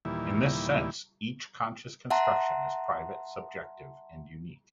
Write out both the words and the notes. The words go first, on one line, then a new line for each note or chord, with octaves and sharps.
In this sense, each conscious construction is private, subjective, and unique.
D#2 A#2 E3 G3 E4
E5 F#5 A5 A#5 C6